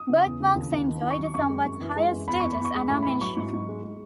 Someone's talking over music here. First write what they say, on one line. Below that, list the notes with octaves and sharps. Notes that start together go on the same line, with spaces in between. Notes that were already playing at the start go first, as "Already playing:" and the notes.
Birthmarks enjoyed a somewhat higher status, and are mentioned.
Already playing: D#6
C#3
E2
C#3
D#2
D#2
D#3
D#3
C#6
F#3
F#2 C#6
G#3
F#2
E3
G#3
F#2
E2 B5
E2 C#6
B5
E2
C#6
G#3 B5
A2 C#6
E3 B5
F#3 C#6
G#2
G#2
G#3
G#3